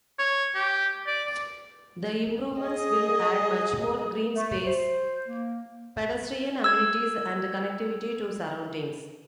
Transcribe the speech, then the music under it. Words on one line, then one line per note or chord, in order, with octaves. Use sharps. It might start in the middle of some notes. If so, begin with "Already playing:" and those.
The improvements will add much more green space, pedestrian amenities and connectivity to surroundings.
C#5
G4
D5
G#4 D#5
A3
C5
A#3
E6 G#6